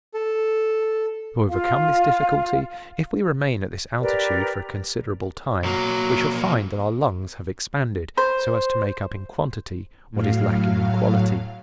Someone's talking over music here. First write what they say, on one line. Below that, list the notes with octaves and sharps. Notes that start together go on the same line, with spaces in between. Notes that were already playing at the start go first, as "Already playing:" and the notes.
To overcome this difficulty, if we remain at this altitude for a considerable time, we shall find that our lungs have expanded, so as to make up in quantity what is lacking in quality.
A4
F4 F5
G4 A#4 B4 D5
B1 F#3 A#3
C5
A2 F#3 F5